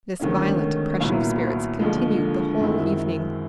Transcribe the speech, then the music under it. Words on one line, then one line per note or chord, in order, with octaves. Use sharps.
This violent oppression of spirits continued the whole evening.
D2 C3 D#3 G#3 C#4
C2 A#2 F#3 B3 E4
D#2 D3 F3 G#3
F#2 D#3 G#3 C4 E4